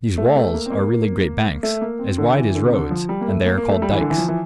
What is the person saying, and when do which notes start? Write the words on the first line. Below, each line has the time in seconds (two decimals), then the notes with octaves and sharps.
These walls are really great banks, as wide as roads, and they are called "dikes."
0.18 A3
0.36 A3
0.54 A#3
0.66 C4
0.71 A#3
1.63 A3
1.81 A#3
1.99 C4
2.18 D3
2.36 E3
2.55 D3
2.64 C3
2.72 D3
2.91 F3
3.09 G3
3.21 A#3
3.28 A3
3.46 A#3
3.58 A#3
3.69 A3
3.82 G3
3.91 E3
4.01 D3
4.10 E3
4.18 F3
4.28 E3